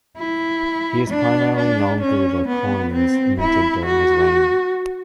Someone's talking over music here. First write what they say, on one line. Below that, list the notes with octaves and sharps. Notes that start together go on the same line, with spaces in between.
He is primarily known through the coins minted during his reign.
E4
D4
D4
C#4
B3
C4
E4
F#4